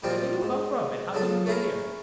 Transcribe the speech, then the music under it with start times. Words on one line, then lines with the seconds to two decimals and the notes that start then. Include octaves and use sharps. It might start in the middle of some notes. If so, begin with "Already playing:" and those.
"Where did you come from and how did you get here?"
0.03 A#2 D#3 F3 G3 A#3 C4
0.42 G#2
1.13 C#3 F3 F#3 A4
1.46 A3 C#4 E4 G#4 A#4